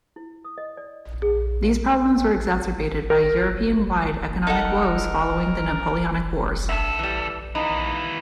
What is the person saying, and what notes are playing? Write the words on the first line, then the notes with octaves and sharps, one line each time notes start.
These problems were exacerbated by European wide economic woes following the Napoleonic Wars.
E4
D#6
D#5
D5
G#4
A#4
D#4 A4 A#4 F#5
D2 G2 A4 E5
E3 G3
D#2 E3 D#4